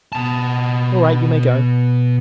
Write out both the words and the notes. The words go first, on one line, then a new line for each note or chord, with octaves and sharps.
'All right, you may go!'
B2 A5